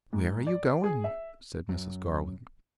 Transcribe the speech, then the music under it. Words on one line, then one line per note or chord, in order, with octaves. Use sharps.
'Where are you going?' said Mrs. Garland.
G#2
D5
G#4
E5
F#2